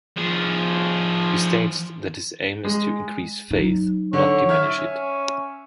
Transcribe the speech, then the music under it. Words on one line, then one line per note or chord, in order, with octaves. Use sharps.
He states that his aim is to increase faith, not diminish it.
F3 G#4
G#3
F#3 D#4
D3 C#5
E5 F6 G#6
C#4